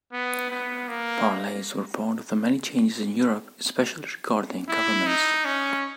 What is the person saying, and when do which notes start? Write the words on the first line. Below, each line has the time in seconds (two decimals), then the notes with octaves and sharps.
Parleys were part of the many changes in Europe, especially regarding governments.
0.13 B3
0.50 B3
0.88 A#3
4.68 E4
5.07 D#4
5.45 C#4